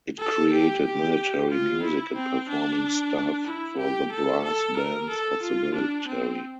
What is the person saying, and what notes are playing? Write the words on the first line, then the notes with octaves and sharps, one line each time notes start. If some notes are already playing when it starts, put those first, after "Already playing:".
It created military music and performing staff for the brass bands of the military.
A4
G4
G4
F4
E4
C4
D4
E4
G4
A4
A4
A#4
A4
F4
D4
C4